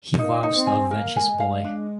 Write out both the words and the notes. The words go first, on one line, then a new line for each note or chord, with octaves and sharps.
He vows to avenge his boy.
A#3 D#4
D#4
C4
G#5
A#3 A#4
G#5
G#3
F5
D4